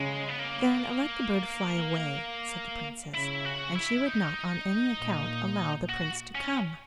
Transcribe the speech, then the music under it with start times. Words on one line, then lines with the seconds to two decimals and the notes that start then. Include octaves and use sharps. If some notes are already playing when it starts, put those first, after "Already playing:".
'Then let the bird fly away,' said the Princess; and she would not on any account allow the Prince to come.
Already playing: C#3 G#3
0.29 B3
0.39 A#3
3.14 C#3 E4
3.45 F#4
3.75 E4
4.06 D#4
4.98 A#2
5.89 F#4
6.35 C#4